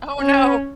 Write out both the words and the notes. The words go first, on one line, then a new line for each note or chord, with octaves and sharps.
Oh, no!
C#4